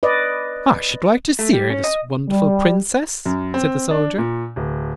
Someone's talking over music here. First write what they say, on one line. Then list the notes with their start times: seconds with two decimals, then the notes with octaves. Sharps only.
"I should like to see her, this wonderful Princess," said the soldier.
0.03 B4 D5 D#5
1.39 A3
1.53 G3
1.70 C#4
1.84 D#5
2.29 G3
3.26 F#2
3.54 C4
3.91 D4
4.18 A#2
4.56 D1